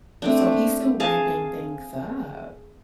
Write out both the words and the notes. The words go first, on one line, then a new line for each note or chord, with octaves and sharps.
So, he's still ramping things up.
A3 C4 D4
G#4 F5 G#5 A5